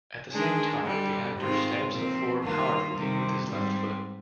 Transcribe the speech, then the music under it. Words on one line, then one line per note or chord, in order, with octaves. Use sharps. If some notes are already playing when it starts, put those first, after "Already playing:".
At the same time, the actor stamps the floor powerfully with his left foot.
D#3 G#3 D4 G#4
G2 D3 G3
G#2 D#3 G#3 C4 F4
A#2 F3 C4
G2 D#3 A#3 F4
C3 D#3 G3 C4
G#2 G3 C4